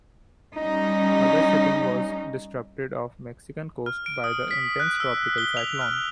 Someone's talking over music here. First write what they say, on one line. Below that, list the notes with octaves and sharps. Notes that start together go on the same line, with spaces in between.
Other shipping was disrupted off the Mexican coast by the intense tropical cyclone.
G3 C#4 D#4
F6
D7
D#6
B6
F#6
E6
G7
F7
F6